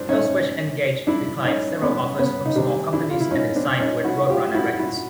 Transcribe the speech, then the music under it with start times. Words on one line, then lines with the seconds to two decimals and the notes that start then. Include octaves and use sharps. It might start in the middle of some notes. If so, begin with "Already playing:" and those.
Killswitch Engage declined several offers from small companies and then signed with Roadrunner Records.
Already playing: F3 C4 D4
0.09 C#4 D#4
1.07 D4 E4
1.44 C#4 D#4
1.82 B3 C#4
2.19 B3 C#4
2.46 D#4
2.56 C3 D#3 G3 C4 D4
2.93 D4 E4
3.10 F4
3.20 E4
3.31 C#4 D#4
3.56 C4 D4
3.80 C#4 D#4
4.04 E4 F#4
4.30 F4 G4
4.54 E4 F#4
4.79 E4 F#4